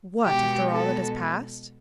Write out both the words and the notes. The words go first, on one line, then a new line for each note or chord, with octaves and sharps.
"What, after all that has passed?"
B2 G#3 B3 G4
A4